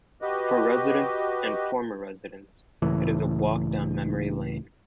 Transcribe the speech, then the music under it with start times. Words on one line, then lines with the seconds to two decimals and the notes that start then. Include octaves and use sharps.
For residents and former residents it is a walk down memory lane.
0.22 F#4 G4 B4 D#5
2.82 C#2 A2 E3